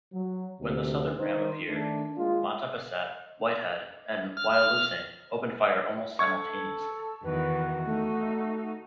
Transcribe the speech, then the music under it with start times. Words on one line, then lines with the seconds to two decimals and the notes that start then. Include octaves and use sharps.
When the Southern ram appeared, "Mattabesset", "Whitehead" and "Wyalusing" opened fire almost simultaneously.
0.12 F#3
0.59 D2 C3
1.19 D#3 C5
1.68 D#3 A3 D4
2.17 G#3 A#3 F4
4.37 F6
6.19 A4 C#6 G#6
7.24 E2 D#3 E3 F#4 B4
7.85 A3 D#4